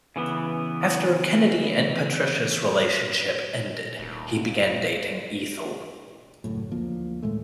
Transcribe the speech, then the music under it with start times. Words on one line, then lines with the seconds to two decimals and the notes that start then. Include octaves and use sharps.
After Kennedy and Patricia's relationship ended, he began dating Ethel.
0.16 C#3 E3 B3
3.99 D#1
6.44 C#2 F#2 A2
6.71 D2 F3 A#3
7.23 A2 D#3 G#3 A3